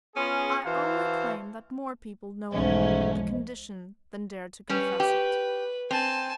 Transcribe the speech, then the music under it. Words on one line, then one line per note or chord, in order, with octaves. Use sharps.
I only claim that more people know the condition than dare to confess it.
B3 C#4 F4 G#4
E3 F#4 C5 F5 A5
B1 E2 G#2 F3 G#3 A3 C#4
G3 C#4 B4
G4
C4 G#5 A5